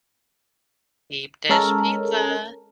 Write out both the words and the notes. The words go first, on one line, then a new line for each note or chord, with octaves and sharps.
Deep dish pizza,
G#3 C#4 A4 A#4